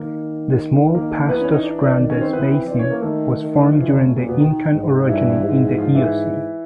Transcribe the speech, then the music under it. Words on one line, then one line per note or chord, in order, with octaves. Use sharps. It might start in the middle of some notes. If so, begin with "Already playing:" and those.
The small Pastos Grandes Basin was formed during the Incan orogeny in the Eocene.
Already playing: D#3 A#3 A#4
D#3 A#3 A#4
A#3 A#4
E3 B3 B4
C#4 C#5
D#4 D#5
D4 D5
D4 D5
D#3
C#4 C#5
C4 C5
E3 B3 B4
C4 C5
E3 D4 D5
C#4 C#5
A#3 A#4
D#3 A3 A4
D#3
F3 F4
E3 E4
D3 D4
C#3 C#4
A3
A#2 A#3
B2 B3
D#3 D#4
G#2
D#4
G2 E3 E4
G#2
F3 F4
E3 E4